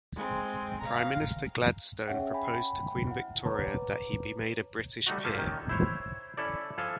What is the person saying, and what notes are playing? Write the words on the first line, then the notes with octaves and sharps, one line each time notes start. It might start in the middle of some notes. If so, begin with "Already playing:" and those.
Prime Minister Gladstone proposed to Queen Victoria that he be made a British peer.
G#3 C4
F5 A#5
C#4 G#4 C#5 E5 F#5 G5
G5 G#5 B5
E4 F#5
B4 C#5 A5 A#5 D6
G3 A3 D#4 F#4
A#3 F4 G4 A4
D#3 C#4
E4 C5 C#5
C#4 E4 A4 D5
F3 A4 E5 F5 G#5 A5